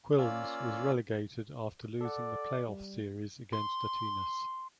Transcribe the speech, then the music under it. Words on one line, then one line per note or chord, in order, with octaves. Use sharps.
Quilmes was relegated after losing the playoff series against Atenas.
A#3 C#4 F4 D5 F5 E6
A4 D5 F#5
G3
C6